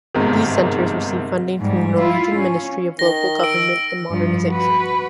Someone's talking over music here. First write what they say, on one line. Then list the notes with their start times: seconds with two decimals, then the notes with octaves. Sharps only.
These centers receive funding from the Norwegian Ministry of Local Government and Modernization.
0.15 G1 G#2 C3 D#3
1.58 G#2 G3
1.99 E4 F4
2.35 C#4
2.99 D#3 A#6 G7
3.40 E6 D7
4.11 G2 F3
4.47 F#4 B4